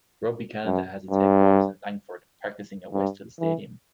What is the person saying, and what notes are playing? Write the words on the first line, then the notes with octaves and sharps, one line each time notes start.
Rugby Canada has its headquarters in Langford practicing at Westhills Stadium.
F#2
G2
G2
E3